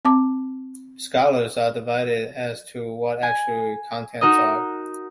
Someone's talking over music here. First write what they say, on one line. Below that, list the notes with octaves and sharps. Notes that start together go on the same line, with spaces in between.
Scholars are divided as to what the actual contents are.
C4 A5 D6
G#5
D#4 F#4 A#4 D#5